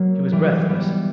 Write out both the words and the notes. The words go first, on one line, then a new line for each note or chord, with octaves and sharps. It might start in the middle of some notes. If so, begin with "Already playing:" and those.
She was breathless.
Already playing: F#3 A#3
E3 G3
G3 B3